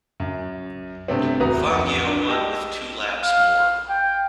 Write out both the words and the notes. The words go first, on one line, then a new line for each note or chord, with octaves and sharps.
Fangio won with two laps more.
F#2
G2 C3 A3 B3 C4
D1 E2 F#4 B4 A#5 D#6
F2 B3 F#5 D6
D4
G4 D#5 G5 A5 E6
F5
G5